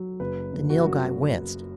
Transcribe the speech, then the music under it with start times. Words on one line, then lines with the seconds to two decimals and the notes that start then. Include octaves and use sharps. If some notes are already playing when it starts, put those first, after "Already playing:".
The Nilghai winced.
Already playing: F#3
0.20 F#1 B4
0.53 F#1
0.70 F#4
0.86 F#2 F#4